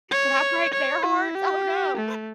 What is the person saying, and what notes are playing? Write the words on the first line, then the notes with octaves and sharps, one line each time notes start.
"Did I break their hearts? Oh, no."
C#5
C#5
E4
G4
A3